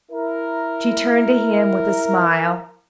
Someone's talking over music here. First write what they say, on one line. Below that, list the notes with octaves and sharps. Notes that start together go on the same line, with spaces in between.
She turned to him with a smile.
E4 A#4